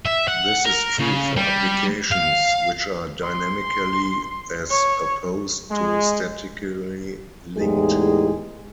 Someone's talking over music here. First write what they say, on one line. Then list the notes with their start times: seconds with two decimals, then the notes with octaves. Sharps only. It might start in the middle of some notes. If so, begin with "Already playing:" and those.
This is true for applications which are dynamically as opposed to statically linked.
0.06 E5
0.28 F#5
0.65 A#4
0.99 C#3
1.37 G3
2.12 F5
3.23 C6
4.70 C#5
5.70 G#3
7.58 E2 A2 G#3 D#4 G4 G#4